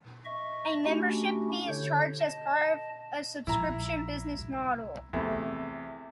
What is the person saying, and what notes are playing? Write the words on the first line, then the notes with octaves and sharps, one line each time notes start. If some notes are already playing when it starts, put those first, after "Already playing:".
A membership fee is charged as part of a subscription business model.
D#5 E5 C#6
A3 C#4 D4 E4 F#4 G4
D3 C#5 G6
D#5 A5
A#1 A#2 E4 A#5
C2
E2 C3 A3 E4